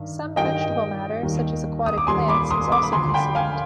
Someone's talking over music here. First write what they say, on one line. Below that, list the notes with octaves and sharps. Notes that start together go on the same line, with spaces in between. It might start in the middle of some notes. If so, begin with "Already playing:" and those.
Some vegetable matter such as aquatic plants is also consumed.
Already playing: G2 D#3
G2 D#3 G3 D#5 G5
D#2 D#3 G3
D#6
D6
D#2 D#3 G3 G#5 C6
B5 D6
C6 D#6
B5 D6
B5
D2 D3 F3 G#5 C6
G5 B5
F5 G#5